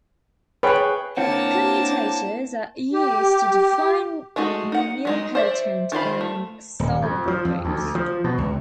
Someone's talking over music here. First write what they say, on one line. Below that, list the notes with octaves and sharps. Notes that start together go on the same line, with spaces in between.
Commutators are used to define nilpotent and solvable groups.
G#4 B4 C#5 G5
A#3 C4 D4 E4 C#5 F#5 A5
G4
G#3 A3 D#4 F#4
D#4 F#5
F#3 G#3 D#4
C5 D5 E5
D#3 F4 C5 B5
A3
D#1
F2
F3
F2
D2
F3
B2
C#2